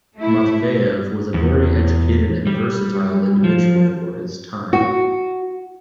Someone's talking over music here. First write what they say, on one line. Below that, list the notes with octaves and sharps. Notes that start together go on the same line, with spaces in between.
Matveyev was a very educated and versatile individual for his time.
A3 E4
E2
G3
F3
F#4